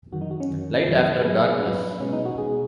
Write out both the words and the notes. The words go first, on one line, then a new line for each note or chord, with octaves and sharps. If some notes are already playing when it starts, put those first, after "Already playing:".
Light after darkness.
F#2 D#3 F#3 F#4
D#4
F#4
C#4
F#2 D#3 F#3
F#2 D#3 F#3
G#4
G#2 F#3 B4
G#4
G#2 F#3 B4
B2 G#3 C#4
D#4
F#4
B2 G#3 G#4